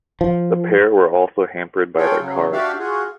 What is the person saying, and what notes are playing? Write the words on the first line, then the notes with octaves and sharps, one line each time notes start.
The pair were also hampered by their cars.
F3
F4 G#4 A4 C#5 G5
C#3 F#3
D4 F#4 G4 D5 E5 F5
F4 F#4 G#4